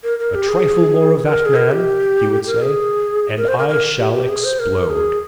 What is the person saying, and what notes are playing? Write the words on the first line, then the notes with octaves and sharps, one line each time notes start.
"A trifle more of that man," he would say, "and I shall explode."
A#4
A#4
G4
G#4
A#4
G#4
A#4
G4
A#4
G#4
A#4
C5
A#4
A#4
G4
G4
G#4
C5
A#4
G#4